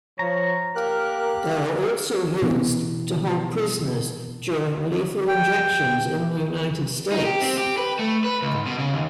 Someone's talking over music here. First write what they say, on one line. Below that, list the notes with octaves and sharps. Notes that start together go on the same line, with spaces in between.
They are also used to hold prisoners during lethal injections in the United States.
F3 C#5 A#5
A#3 G4 A#4 F#6
B2 E3 B3
G5
D#4
G4
C4
G4
B4
A3
B4
C#2
G#2
B2
C#3
D#2